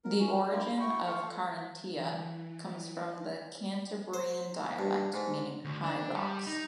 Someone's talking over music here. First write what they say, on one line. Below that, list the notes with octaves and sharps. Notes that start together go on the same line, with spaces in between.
The origin of "Carrantia" comes from the Cantabrian dialect, meaning "high rocks".
A#4
C#4
A#3 D4 E4 F4
B5
E4 F#4 G5 C#6
F4 A4 F5 C#6
E3
C5
G2
G#2
D2
D4
G3
D#4